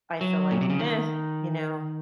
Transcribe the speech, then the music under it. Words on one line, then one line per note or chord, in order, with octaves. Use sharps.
I feel like, eh, you know?
F#3
A#2
C3
C#3
D#3